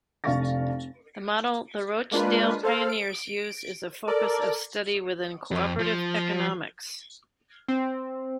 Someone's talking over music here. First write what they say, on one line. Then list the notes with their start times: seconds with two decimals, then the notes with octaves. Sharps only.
The model the Rochdale Pioneers used is a focus of study within co-operative economics.
0.24 F1 D4 F5 C#6 A6 A#6
2.11 G#3 A#3 D4 F4 B4
2.63 A4 C5 F5
2.89 D7
4.07 A4 A#4 D5
5.51 F2
5.79 F3
7.68 C4